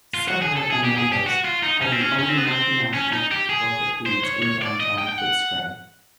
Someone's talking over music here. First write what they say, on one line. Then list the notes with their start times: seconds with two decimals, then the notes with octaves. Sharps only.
Subway and Nandos are the only multi-national corporate foods in downtown Footscray.
0.14 F4
0.28 F#4
0.42 G#4
0.56 A4
0.70 G#4
0.84 G4
0.97 G#4
1.12 G4
1.26 F#4
1.45 F4
1.63 D#4
1.82 C#4
1.92 C4
2.01 C#4
2.19 C#4
2.29 C4
2.37 B3
2.47 C4
2.94 C#4
3.13 D#4
3.31 G4
3.49 G#4
4.06 C5
4.24 C#5
4.43 C#5
4.62 D5
4.80 D#5
4.98 G5
5.09 G5
5.18 F#5